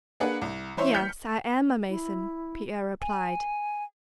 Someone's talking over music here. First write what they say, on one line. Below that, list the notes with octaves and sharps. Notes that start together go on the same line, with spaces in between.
"Yes, I am a Mason," Pierre replied.
A#3 D4 G#4 B4 F#5
C2
E3 C#4 E4 C5 C#5 E5
F6 G6 B6 C#7
E4
G#5